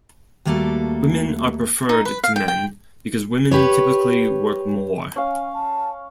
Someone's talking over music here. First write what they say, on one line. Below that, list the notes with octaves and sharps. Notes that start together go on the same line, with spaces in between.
Women are preferred to men, because women typically work more.
D#2 G3 A3 A#3 F#4 A4
D#4
B4
F5
G5
G5
G4 B4 C#5
C#4 F5 G#5
A5